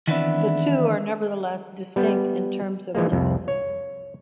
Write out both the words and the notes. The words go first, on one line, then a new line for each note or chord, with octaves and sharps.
The two are nevertheless distinct in terms of emphasis.
D#3 E3 B3 C4 D4 E4
G3 B3
E3 F3 G#3 A#3
C2 F2
C#5